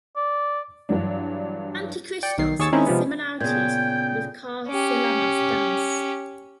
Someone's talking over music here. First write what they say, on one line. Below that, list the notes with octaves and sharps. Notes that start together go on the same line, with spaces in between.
Antikristos, has similarities with karsilamas dance.
D5
G2 E3 F#3 D4
D5 G5 C#7
B1 D#3 C7
D#2 G#4 C#5 C#6 E6 A6
D#3 G#3 C4 C#4 D#4 E4
C3 F3 G3 G#3 B3
A#2 C#3 B3 G5 G6 G#6
C#4 G4